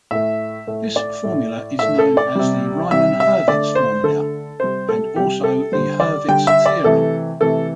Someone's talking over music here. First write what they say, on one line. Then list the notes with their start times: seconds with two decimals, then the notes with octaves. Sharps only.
This formula is known as the "Riemann-Hurwitz formula" and also as Hurwitz's theorem.
0.11 A2 A3 E5
0.67 A2 A3
0.96 D5
1.23 A2 A3
1.79 A2 A3 E5
1.99 A4
2.17 D5
2.35 C3 G3
2.91 C3 G3 E5
3.20 E5
3.48 D3 A3 D5
3.75 C5
4.04 D3 A3 A4
4.60 C3 G3 C5
4.89 A4
5.16 C3 G3 G4
5.44 A4
5.72 D3 G3 C5
6.00 D5
6.28 D3 G3 G5
6.47 E5
6.66 D5
6.84 C3 E3 A3 A4
7.40 C3 E3 A3 A4